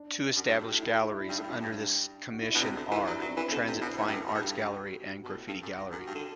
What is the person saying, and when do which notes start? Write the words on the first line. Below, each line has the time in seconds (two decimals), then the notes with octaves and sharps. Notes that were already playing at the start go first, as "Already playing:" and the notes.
Two established galleries under this commission are: Transit Fine Arts Gallery and Graffiti Gallery.
Already playing: D4
0.37 F#2 F#4
0.49 G2
0.59 A2
0.71 A2
0.82 E4
1.04 E4
1.18 D4
1.29 G2 E4
1.38 A2
1.43 G2
1.49 F#2
1.61 G2
1.72 D4
2.31 F#4
2.42 E4
2.51 B2 D4
2.62 C3 C4
2.74 D3 G4
2.85 F#4
2.92 E3
2.96 E4
3.07 F#3 D4
3.21 F#3 D4
3.29 C4
3.37 E3
3.51 D3 C4
3.63 D4
3.67 C3
3.74 E4
3.81 B2
3.86 C5
3.97 A2 B4
4.08 G2
4.12 F#2
4.27 G2
4.34 A2
4.42 G2 G4
4.64 F#4
5.24 B2
5.32 A2
5.48 G2
5.62 F#2
5.77 G2 F#4
5.92 F#2
5.99 F#4
6.07 G2
6.15 D3